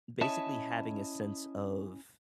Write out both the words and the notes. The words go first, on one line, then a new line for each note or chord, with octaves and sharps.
basically, having a sense of
C#4 E4 C#5 D#5 E5 A5